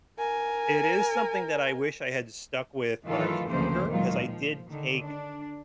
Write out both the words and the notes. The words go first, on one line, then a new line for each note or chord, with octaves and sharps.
it is something that I wish I had stuck with when I was younger, 'cause I did take,
A#4 G#5
D#3 E3 F#3 A3 F4 A4
D2 C#3 E3 F3 A#3 C5
A#2 D#3 F#3 G#3 F4
F3
D3 D#3
D4